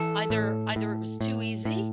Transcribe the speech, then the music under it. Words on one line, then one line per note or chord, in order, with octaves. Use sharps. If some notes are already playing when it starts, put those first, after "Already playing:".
Either either it was too easy,
Already playing: E3 A4
A2
A2
A2
A2